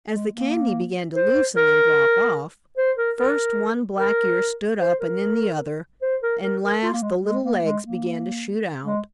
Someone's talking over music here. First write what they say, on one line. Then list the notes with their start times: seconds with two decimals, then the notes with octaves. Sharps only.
As the candy began to loosen and drop off, first one black ear stood up and then the other, and last the little legs began to shoot out.
0.13 G#3
0.34 A#3
1.16 C5
1.56 A#4
2.77 C5
2.97 A#4
3.17 A#4
3.98 A#4
4.80 C5
5.00 A#4
6.02 C5
6.22 A#4
6.42 A#4
6.63 A#4
6.83 F4
6.93 A#3
7.03 G#3
7.23 G#3
7.43 A#3
7.64 G#3
7.84 A#3
8.85 G#3